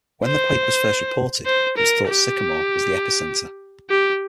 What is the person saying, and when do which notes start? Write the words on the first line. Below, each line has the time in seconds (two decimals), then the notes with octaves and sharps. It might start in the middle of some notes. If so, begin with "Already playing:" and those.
When the quake was first reported, it was thought Sycamore was the epicenter.
0.25 C5
1.46 C5
1.77 A#4
2.07 G4
3.90 G4